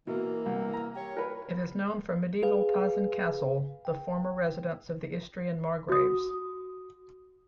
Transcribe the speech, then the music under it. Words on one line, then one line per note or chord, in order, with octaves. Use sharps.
It is known for medieval Pazin Castle, the former residence of the Istrian margraves.
B2 E3 A#3
C2
A#5
G4 C#5
A#4 B4
G#4 B4 F5
G5
F#4 D#6